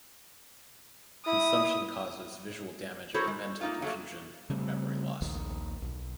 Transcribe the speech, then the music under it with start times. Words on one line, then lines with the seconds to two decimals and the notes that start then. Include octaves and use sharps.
Consumption causes visual damage, mental confusion, and memory loss.
1.27 E4 D#6
3.14 E4 F#4 A4 A#4 C5 C#5
3.27 G#3
3.61 A#3 D#4 F4
3.82 F#3 A3 A#3
4.50 C#3 G3 A3 C4
5.22 A#1 D#2 D#3
5.82 B1